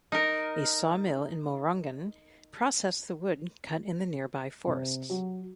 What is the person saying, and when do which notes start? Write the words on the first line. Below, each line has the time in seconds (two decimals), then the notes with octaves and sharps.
A sawmill in Mohrungen processed the wood cut in the nearby forests.
0.12 D#4 A#4
4.67 C3
5.10 F#3